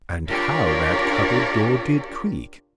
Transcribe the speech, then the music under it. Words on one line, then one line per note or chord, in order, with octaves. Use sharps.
And how that cupboard-door did creak!
D4 F4 G4 A#4 C#5 D5